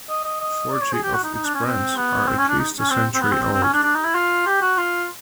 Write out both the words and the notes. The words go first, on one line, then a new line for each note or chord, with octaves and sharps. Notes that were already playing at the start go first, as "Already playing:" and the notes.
Forty of its brands are at least a century old.
D#5
D#5
D#5
D5
C#5
G#4
G4
F#4
D#4
D#4
D4
C#4
C4
B3
C4
C#4
D4
D#4
C#4
C4
C4
B3
C4
C4
C4
C#4
D4
D4
D#4
E4
F4
G4
F#4
F4